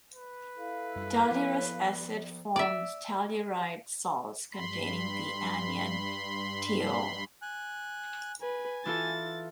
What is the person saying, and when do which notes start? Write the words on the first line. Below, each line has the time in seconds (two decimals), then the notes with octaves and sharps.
Tellurous acid forms "tellurite" salts containing the anion TeO.
0.14 B4
0.56 E4 A4 F5
0.96 F#2 G3
1.31 F3 B3
1.87 D5
2.56 D5 E5
4.53 G2 B5 C6
7.42 G#5 F#6
8.41 B4 G#5
8.85 E3 F4 A4 A6